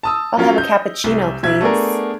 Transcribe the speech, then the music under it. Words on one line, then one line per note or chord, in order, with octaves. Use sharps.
I'll have a cappuccino please.
A5 D#6 E6
F#3 C#4 F4 A#4
D#5 G6
C2
B1 E5 G#6
A3 B3 D4 G#4 A#4